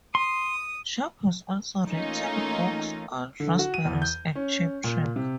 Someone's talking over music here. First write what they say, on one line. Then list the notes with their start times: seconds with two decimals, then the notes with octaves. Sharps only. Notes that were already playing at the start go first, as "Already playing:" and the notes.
Sharp has also written books on Raspberries and Cheap Trick.
0.15 C6 D#6
1.88 E3 A3 A#3 C#4 D#4 F4
3.40 D3
3.59 F#4
3.74 D#7
3.85 E2
4.02 G6
4.35 C#4
4.84 A#2
5.16 C3